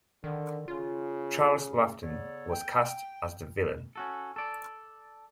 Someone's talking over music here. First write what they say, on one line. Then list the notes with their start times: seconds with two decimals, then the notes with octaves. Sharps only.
Charles Laughton was cast as the villain.
0.24 D3 D#3
0.68 C#3 F4
2.03 C#3 B3 A4 C#5 D5
2.51 G5
3.96 C#4 F#4 A4
4.36 A4 D5